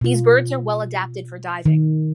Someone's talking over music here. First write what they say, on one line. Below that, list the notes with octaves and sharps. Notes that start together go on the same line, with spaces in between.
These birds are well adapted for diving.
B2 F4
D#3